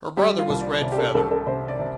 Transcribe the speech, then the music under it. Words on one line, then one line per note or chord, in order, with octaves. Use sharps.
Her brother was Red Feather.
G3 G4
F4
C2
D5
C3 D5
G4
A4
C2 A4
A4
C3 C5
D5
C3